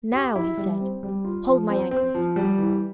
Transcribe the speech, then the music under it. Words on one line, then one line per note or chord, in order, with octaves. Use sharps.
"Now," he said, "hold my ankles."
G4
E4
G3
C4
G3
F4
F3
C4
C4
F3
G3
E3